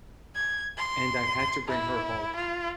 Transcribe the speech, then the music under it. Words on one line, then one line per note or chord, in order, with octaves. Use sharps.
And I had to bring her home.
G#6
C6
E4
F4